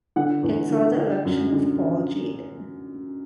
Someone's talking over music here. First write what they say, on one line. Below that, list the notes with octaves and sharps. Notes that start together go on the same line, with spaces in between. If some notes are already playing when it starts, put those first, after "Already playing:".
It saw the election of Paul Jadin.
D3 F#5
E2
D3
D3
F#2
D3